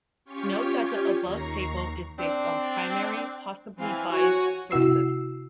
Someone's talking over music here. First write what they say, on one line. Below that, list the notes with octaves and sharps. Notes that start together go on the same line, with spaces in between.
Note that the above table is based on primary, possibly biased, sources.
C#4 F4 G4 C#5
D#2 A#5 C#6 C7
C4 D4
E3 C4 F5 G#5
F#4 C#5 F#5 G#5
C3 E4 F#4 E6 C7